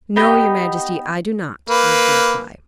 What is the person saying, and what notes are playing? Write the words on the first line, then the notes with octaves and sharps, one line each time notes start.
"No, your Majesty; I do not," was the reply.
B3 D#4 G4
A#3 B4